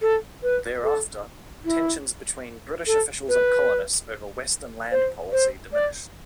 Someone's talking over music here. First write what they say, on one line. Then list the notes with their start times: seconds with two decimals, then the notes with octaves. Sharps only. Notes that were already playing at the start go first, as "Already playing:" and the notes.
Thereafter, tensions between British officials and colonists over western land policy diminished.
0.02 A4
0.43 B4
0.84 A4
1.65 E4
2.87 A4
3.29 B4
4.92 C5
5.32 C5
5.73 D5